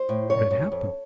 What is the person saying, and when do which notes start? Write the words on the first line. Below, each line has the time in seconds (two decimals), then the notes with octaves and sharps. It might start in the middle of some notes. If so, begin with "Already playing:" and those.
What had happened?
Already playing: C5
0.09 A2
0.30 F#2 C#5
0.51 F#2
0.72 F2